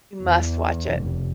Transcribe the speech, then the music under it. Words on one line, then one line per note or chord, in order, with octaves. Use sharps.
You must watch it
E2
F1